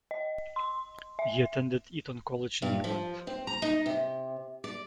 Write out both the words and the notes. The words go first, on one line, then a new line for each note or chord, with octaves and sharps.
He attended Eton College in England.
D#5
C6
E5
G2
F3
C4
A#5
D#4
C3
D5